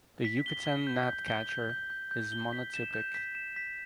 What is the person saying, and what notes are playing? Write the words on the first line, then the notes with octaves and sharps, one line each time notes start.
The Yucatan gnatcatcher is monotypic.
B6
G7
G7
G6
G6
G7
G6
G6
G6
G6
G7
B6
E7
G6
B6
E7
B6